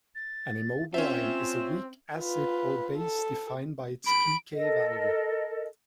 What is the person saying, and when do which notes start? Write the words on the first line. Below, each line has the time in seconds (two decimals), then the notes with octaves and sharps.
An Immobiline is a weak acid or base defined by its pK value.
0.15 A6
0.94 C4 C#4 F4 E5 E7
2.19 F4 B4
2.96 A4
4.06 B5 D7
4.54 A4 A#4 D#5